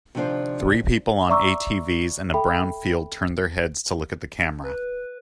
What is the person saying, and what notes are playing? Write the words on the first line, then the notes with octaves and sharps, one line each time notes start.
Three people on ATVs in a brown field turn their heads to look at the camera.
C3 D#3 F3 D4 F4 C5
D5 E5 A#5 C#6 D6 E6
A4 E5 G5 B5
B4